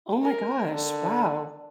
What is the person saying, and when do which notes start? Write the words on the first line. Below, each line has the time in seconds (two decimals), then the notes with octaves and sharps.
Oh my gosh, wow.
0.23 A#4
0.70 D3